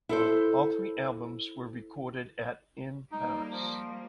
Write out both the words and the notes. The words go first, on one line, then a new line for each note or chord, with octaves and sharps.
All three albums were recorded at in Paris.
E4 A4 C5
G3 A#3 D#4
F3